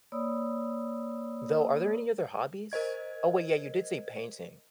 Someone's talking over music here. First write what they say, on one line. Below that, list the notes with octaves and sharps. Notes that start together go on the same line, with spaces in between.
though are there any other hobbies? Oh, wait, yeah, you did say painting.
A#3 C#5 D5 B5 D#6 E6
A#4 C5 D#5 G#6